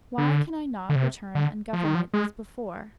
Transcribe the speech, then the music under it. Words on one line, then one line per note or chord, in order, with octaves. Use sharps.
"Why can I not return and govern it as before?"
D3
D3
C3
D3
F3
D#3
F3
G#3